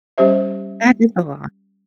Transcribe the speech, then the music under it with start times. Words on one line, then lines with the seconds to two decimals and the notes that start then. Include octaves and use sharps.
That is a lot.
0.18 G3 C#4 G4 C5 E5